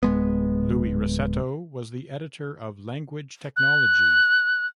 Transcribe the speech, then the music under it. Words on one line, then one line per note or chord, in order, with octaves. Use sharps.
Louis Rossetto was the editor of Language Technology.
D1 G#3 B3
F#6